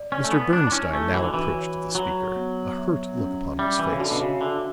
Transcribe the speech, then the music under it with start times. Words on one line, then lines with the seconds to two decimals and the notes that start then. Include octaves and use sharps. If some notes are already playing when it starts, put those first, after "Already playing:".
Mr. Bernstine now approached the speaker, a hurt look upon his face.
Already playing: D5
0.12 C#4
0.24 A3
0.31 B3 E4
0.53 D4
0.67 D4
0.72 C#4 E4
0.93 A3
1.14 E3 F#4
1.24 D3
1.34 E3
1.54 C#5
1.95 F#3 F#4
2.36 B3
2.78 E5
3.18 C#4
3.59 G3 E5
3.79 E3
3.92 C#3
4.00 D3 F#4
4.11 B2
4.21 C#3
4.41 D3 E5